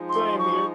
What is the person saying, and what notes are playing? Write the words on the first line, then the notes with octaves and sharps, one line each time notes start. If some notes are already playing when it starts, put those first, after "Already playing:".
Same here.
Already playing: F3 G#3 D#4
C6
C#6